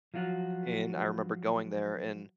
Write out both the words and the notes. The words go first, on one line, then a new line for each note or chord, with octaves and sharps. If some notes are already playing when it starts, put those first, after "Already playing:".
and I remember going there, and,
F3 F#3 F4 F#4